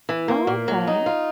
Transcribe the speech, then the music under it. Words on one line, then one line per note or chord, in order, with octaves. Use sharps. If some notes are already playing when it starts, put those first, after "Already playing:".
Oh, okay.
E3
A#3
A#2
F#3
D#4
F4